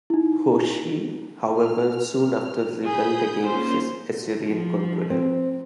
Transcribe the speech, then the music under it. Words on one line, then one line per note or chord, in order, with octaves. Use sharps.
Hoshea, however, soon after rebelled against his Assyrian conqueror.
D#4 E4
F6
G#4 B5 D#6 G6
A#3 C#4 F4 C5
F3
C4